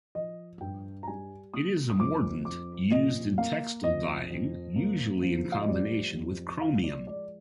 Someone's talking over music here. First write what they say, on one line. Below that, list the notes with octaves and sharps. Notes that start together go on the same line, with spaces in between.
It is a mordant used in textile dyeing, usually in combination with chromium.
F3 D#5
G2 G5
A#5
G3 G#5
A#3 D#6
D#6
F2 D6
F2 D6
A#2 D#5
A#3 F5
F2 D#5
F2
A#3
F3
F5
D#5
G3 D5
F2
F3 F5
D5
G#3 D5